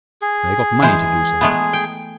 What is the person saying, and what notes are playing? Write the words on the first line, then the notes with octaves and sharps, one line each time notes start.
"They got money to do so."
G#4
E3 G#3 C5
G#3 A3 B3
G5